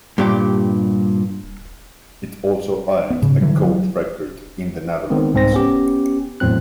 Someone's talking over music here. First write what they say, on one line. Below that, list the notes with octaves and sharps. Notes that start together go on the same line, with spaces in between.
It also earned a gold record in the Netherlands.
G2 A#2 G4
B3
G#2 C#3
D3 E3 F#3 G3
F#3
D#3 G#3 B3 C4
C2 G#2 C4 C5 A#6
B3 C#4 G4
E2 A2 F#3 C4 F#6